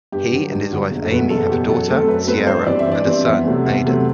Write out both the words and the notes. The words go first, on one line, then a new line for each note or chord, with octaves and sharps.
He and his wife Amy have a daughter, Ciara, and a son, Aidan.
G2 G4
D3 F#3
G2
D3 F#3
F#1
A4
E2 B2 F#3 B4
F#1 A4
E2 B2 F#3 G4
F#2 A4
F#3 A3 C4 A4
F#2 B4
F#3 A3 C4 B4
G2 C5
E3 G3 C4 D5
E5
G2 D5
E3 G3 C4
E2 E5
C3 F#3 A3 C4
E2
C3 F#3 A3 C4